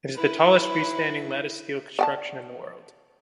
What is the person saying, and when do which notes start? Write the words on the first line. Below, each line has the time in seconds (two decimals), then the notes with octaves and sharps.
It is the tallest freestanding lattice steel construction in the world.
0.15 E4 B4
1.99 D5 G5 A5